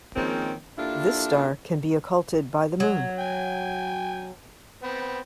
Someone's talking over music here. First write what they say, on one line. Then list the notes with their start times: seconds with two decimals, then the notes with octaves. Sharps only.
This star can be occulted by the moon.
0.16 D#3 F3 G#3 A#3 C4 C#4
0.78 A#3 D4 E4 F4 G4 A4
2.80 F#3
3.19 G5 G#5
4.83 B3 C4